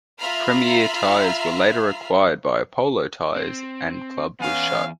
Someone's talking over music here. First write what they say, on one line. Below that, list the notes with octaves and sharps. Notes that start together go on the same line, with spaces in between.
Premier Tyres were later acquired by Apollo Tyres and club was shut.
F4 E5 A#5 B5 F6 C7
C4
E2 B3 C#4 F5 G#5